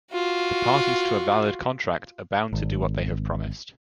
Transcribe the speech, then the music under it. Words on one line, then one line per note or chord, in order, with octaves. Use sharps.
The parties to a valid contract are bound to do what they have promised.
F4 F#4
G#1